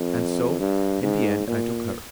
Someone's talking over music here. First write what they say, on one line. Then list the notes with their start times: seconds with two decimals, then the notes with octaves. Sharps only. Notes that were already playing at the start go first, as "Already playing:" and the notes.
And so, in the end, I took her.
Already playing: F2
0.59 G2
1.03 G#2
1.47 A#2